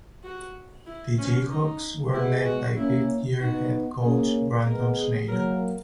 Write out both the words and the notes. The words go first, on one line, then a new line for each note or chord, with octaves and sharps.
The Jayhawks were led by fifth year head coach Brandon Schneider.
F#4
E4
C#4
D#4
G#3 B3 E4
F#4
A#3 C#4 E4
B3 D#4 F#4
A#3 C#4 G#4
G#3 B3 A#4
G#4
F#3 A#3 A#4